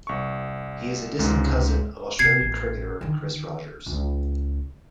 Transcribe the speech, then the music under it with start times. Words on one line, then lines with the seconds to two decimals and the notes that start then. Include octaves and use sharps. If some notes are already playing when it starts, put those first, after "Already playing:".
He is a distant cousin of Australian cricketer Chris Rogers.
0.07 C2 C#6
1.19 C#2 G#2 C3 G#3
2.19 C3 G#6 C7
2.41 A1
3.01 D3 D#3
3.86 C#2